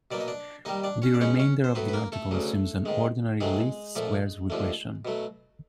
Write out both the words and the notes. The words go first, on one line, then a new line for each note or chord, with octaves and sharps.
The remainder of the article assumes an ordinary least squares regression.
B2 F#3 A#3 D5
D#5
D4 D5
D#2 D#3 G3 D#4 D#5
D4 D5
C#4 C#5
D5
B2 G#3 B3 C#4 C#5
C#4 C#5
C5
A2 F#3 B3 B4
B4
A#3 A#4
A3 A4
D2 C#3 F#3
G#2 D#3 G#3
G#2 D#3 F#3 G#3 A3 G#4
A#2 F3 A3
D#2 D3 F3 A3
B2 F#3 A3